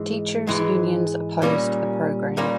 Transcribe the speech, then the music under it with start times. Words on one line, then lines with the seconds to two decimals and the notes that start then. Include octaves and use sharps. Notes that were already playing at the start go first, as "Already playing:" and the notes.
Teachers unions opposed the program.
Already playing: G#2 E3 G#3
0.47 G#2 E3 G#3
1.42 A#2 G3 A#3 C#4
2.37 A#2 G3 A#3 C#4